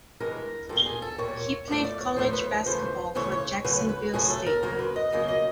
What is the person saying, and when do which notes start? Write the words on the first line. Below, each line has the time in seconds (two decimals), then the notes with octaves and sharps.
He played college basketball for Jacksonville State.
0.20 G2 E3 G#3 A#4
0.69 A#2 G3 A#3 A4
0.86 G#4
1.02 A4
1.18 A#2 G3 A#3 C#5
1.67 A2 F3 A3 D5
1.84 D5
2.01 C#5
2.16 A2 F3 A3 C5
2.33 B4
2.49 B4
2.66 F2 C#3 E3 A3 C5
3.15 F2 C#3 E3 A3 C#5
3.32 C#5
3.64 F#2 C#3 F#3 A3 B4
3.89 B4
4.14 F#2 C#3 F#3 A3 G#4
4.30 A4
4.46 A#4
4.63 F2 C#3 F#3 A#3 A#4
4.79 B4
4.96 D#5
5.12 F2 C#3 F#3 A#3 D#5
5.28 D#5